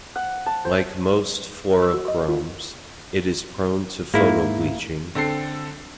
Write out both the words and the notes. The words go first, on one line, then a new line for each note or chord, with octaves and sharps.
Like most fluorochromes, it is prone to photobleaching.
F#5
A5
C5
E6
F#4
D#5
F4
G#2 A#3 E4
D3 C4 A4 C7